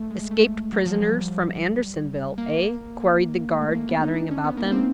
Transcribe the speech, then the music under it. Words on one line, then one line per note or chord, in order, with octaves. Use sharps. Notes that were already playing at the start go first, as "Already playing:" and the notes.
"Escaped prisoners from Andersonville, eh?" queried the guard gathering about them.
Already playing: A3
G#3
A3
F#3
F3
G3
A#3
G#3
A3
A#3
B3
D#4
D4
C#4
B3
A#3
C4